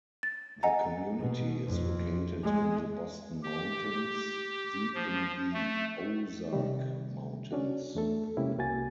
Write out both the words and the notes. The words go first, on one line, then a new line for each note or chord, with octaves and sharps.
The community is located in the Boston Mountains deep in the Ozark Mountains.
A6
D#5 F#5 G#5 A#5
B2
F2
G#3
G4
F3
A3
C3 D#3 G3
C#4 D4 F#4
E2 A3 A4
C3 G#3 A#3 C#4 E4 G4
C2 A#3 F#4 G#5 A6